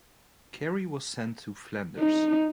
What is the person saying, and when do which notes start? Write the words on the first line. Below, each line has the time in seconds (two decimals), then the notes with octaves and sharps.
Cary was sent to Flanders.
1.99 D#4